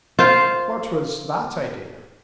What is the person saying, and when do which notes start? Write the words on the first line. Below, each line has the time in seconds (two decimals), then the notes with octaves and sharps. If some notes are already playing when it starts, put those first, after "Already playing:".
"What was that idea?"
0.19 F4 C5